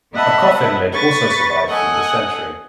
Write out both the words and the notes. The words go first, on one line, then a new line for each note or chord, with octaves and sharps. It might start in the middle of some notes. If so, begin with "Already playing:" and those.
A coffin lid also survives from this century.
B3 D#5 E5 F#5 A5 B5
B4 C#6 A6
A4 D#5 F#5 G#5